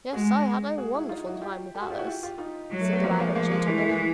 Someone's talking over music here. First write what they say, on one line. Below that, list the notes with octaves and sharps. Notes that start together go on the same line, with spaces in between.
"Yes, I had a wonderful time with Alice," said the rabbit gentleman.
G#3 F#4 G#4
F#4 G#4
E4 F#4
D#4 F4
E4 F#4
F4 G4
G4 A4
F#4 G#4
F4 G4
E4 F#4
F4 G4
F4 G4
D#4 F4
F#3
A3
A3 B3
F3 A#3 C4
A3 B3
G#3 A#3
A3
F3 G#3 A#3
G#3 A#3
E3 A3
A3
G#3